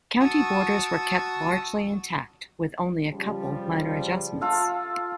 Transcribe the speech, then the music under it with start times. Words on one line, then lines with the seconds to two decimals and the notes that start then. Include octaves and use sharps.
County borders were kept largely intact, with only a couple minor adjustments.
0.20 F#4 A5 C#6 D#6 E6
3.11 C#3 F3 G3
4.41 F4 A4